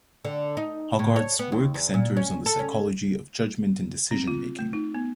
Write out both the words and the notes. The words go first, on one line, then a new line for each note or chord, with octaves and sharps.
Hogarth’s work centers on the psychology of judgment and decision making.
D3
D#4
A2
C#5
B3
D#2
E2
A#2
C#4
A4
C#4
C4
F4
A3
D#4
B3